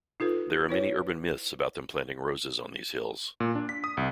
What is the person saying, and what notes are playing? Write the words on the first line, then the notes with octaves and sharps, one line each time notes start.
There are many urban myths about them planting roses on these hills.
D#4 F4 A4 B4
E4 B4 C#5
A#2
D4
B6
D#6
C2